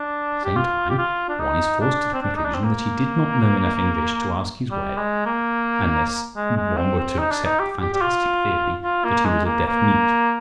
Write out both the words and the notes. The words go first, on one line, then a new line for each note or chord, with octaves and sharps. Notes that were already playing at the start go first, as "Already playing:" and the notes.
At the same time one is forced to the conclusion that he did not know enough English to ask his way, unless one were to accept the fantastic theory that he was a deaf mute.
Already playing: D4
G4
F4
G4
F4
D4
D#4
D4
C4
D4
D#4
D4
C4
A#3
G3
G#3
A#3
G#3
G#3
C4
C4
D#4
D4
D#4
G4
G4
G4
F4
F4
A#3
G#3
A#3
A#3